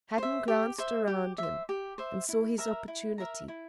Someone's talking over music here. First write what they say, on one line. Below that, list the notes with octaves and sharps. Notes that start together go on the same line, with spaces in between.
Hadden glanced around him, and saw his opportunity.
C5 E5
G4
C5 E5
G4
C5 E5
G4
C5 E5
E4
A#4 E5 A#5
E4
A#4 E5 A#5
E4